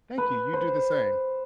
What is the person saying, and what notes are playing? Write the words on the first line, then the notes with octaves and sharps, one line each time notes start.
Thank you. You do the same.
B4
C5